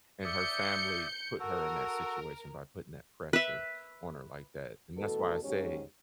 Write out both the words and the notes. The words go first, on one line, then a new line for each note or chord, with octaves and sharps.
and her family put her in that situation by putting that pressure on her like that, and that's why I say,
D5 E5 D#6 G6 C#7
F#4 A4 A#4
B4 E5
B2 E3 A3 A4
D#2 G#2 F#3 C#4 G4 C#5